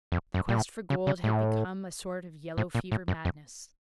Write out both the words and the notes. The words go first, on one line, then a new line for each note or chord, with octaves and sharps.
The quest for gold had become a sort of yellow-fever madness.
F2
F#2
A#2
A2
C#3
C#3
A2
A2
A#2
A2
F#2
F2